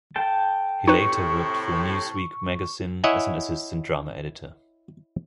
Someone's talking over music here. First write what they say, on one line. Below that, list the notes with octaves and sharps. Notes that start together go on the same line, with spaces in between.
He later worked for "Newsweek" magazine as an assistant drama editor.
A4 G5 A5
A2 C3 D#4 B4 C#6
E4 C#5 D#5 E5 F#5 G#5